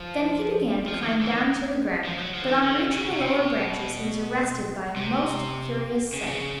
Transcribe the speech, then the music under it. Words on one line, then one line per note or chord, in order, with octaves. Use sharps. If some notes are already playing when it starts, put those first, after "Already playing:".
Then he began to climb down to the ground, but on reaching the lower branches he was arrested by a most curious sight.
Already playing: F3
F3
D#3
E3
D#3
F3
F#3
F3
D3
D#3
D3
C#3
C3
B2
C3
C#3
C3
C#3